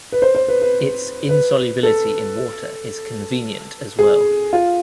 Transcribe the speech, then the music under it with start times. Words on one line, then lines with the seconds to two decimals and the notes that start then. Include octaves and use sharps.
Its insolubility in water is convenient as well.
0.12 B4
0.22 C5
0.35 C5
0.48 B4
0.62 B4
1.29 B4
1.83 A4
3.99 G#4
4.53 F4